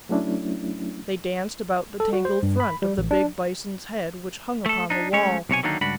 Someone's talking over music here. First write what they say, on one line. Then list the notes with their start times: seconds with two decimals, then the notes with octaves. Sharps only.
They danced about the tangled front of the big bison's head which hung upon the wall.
0.09 F#3 A3 C#4 D4 E4
2.00 A4
2.13 F#4
2.25 C5
2.43 G2
2.60 B5
2.82 G3
2.98 A1
3.11 D4
4.66 A3 A4
4.90 D4 D#4
5.13 G#3 A3 C#4 C#5
5.49 B1 C3 C#5 G#5
5.63 D3 D#3 F#3 A#3 D4 D#4
5.81 C#2 G2 D4 F#4 B5